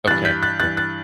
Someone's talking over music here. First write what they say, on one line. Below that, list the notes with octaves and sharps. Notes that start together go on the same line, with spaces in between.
Okay, yeah.
G2 E3 F#6 A6
G6 B6
F#6 A6
G2 E3 F#6 A6
F#6 A6